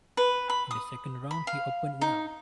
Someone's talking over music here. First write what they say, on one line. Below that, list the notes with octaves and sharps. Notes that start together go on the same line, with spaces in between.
In the second round he opened well.
B4
B5
D#6
B5
F5
D#4